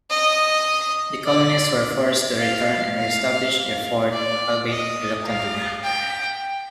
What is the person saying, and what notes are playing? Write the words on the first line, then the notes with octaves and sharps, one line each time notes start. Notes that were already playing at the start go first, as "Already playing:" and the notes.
The colonists were forced to return and reestablish their fort, albeit reluctantly.
D#5
D5
F5
F5
D5
D#5
F5
G5